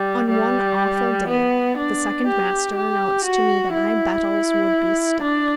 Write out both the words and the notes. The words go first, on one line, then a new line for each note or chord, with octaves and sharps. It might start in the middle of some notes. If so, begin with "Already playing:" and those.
On one awful day the second master announced to me that my battels would be stopped.
Already playing: G3
G3
B3
D4
G4
G4
F#4
E4
D4